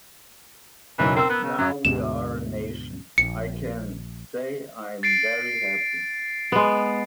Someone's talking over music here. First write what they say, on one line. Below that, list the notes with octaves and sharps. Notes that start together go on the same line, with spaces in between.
Now we are a nation...I can say I am very happy.
F#1 B1 E3 F#3
C4 A#4 E6
B3
C#3
F#2 F#3
D2 G#2 B2 E7
A#1 C#7
A6 C7 D7
G#3 B3